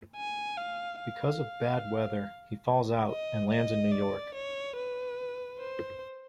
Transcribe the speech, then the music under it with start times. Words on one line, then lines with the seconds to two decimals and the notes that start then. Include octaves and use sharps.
Because of bad weather, he falls out and lands in New York.
0.16 G#5
0.57 F5
1.00 F5
3.09 D#5
3.50 D#5
3.92 D5
4.34 C#5
4.76 B4
5.59 C5